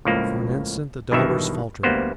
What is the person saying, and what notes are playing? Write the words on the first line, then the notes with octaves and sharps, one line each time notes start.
For an instant the Delawares faltered.
C#2 A2 F3 A#3
B1 G2 B2 D#3 E3 E5
D2 G3 A#3 B3 C5